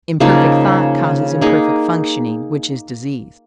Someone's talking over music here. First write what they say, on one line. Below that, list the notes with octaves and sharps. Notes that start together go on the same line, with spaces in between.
Imperfect thought causes imperfect functioning, which is disease.
C#3 F3 A#3 D#4
A#3 D#4 G#4